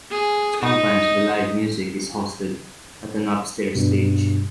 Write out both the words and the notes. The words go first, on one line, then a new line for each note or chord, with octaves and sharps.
Sometimes the live music is hosted at an upstairs stage.
G#4
D#4
G2 B2